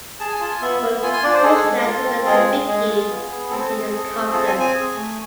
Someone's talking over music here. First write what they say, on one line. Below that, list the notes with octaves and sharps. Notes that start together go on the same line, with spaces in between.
But Krishna took her to Vicky and gained his confidence.
G#4 A5
G#5
F4 A5
G#5
B3 E5
B3
F4 G#5
G#5
D4 D5
C5
G#4 A4
G#3
F4
C4
G#3 G#4
G#3
G#4
F4
B3
B3
C4 A4
G#4
G#4
C4
F4 A4
G#5
C4
G#5
G#4
A3